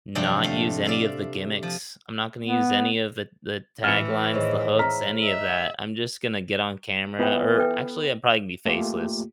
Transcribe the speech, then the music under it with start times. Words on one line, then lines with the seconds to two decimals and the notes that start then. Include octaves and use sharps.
not use any of the gimmicks. I'm not gonna use any of the the taglines, the hooks, any of that, I'm just gonna get on camera or actually, I'm probably gonna be faceless,
0.15 F2 C3 F#3 D4 G5
0.43 A3 F5
0.85 D5 E5 F5
1.63 F3
2.42 B3
3.84 A2 E3 F6 C#7
4.34 D#3 G#4 C5 C#5 A5
4.79 B3 E4 A#5 F6 B6
5.23 G#3 E5
7.19 E3 B3 F4 G5
7.56 A4 B4 G5
8.65 A3 A#3 F4 G4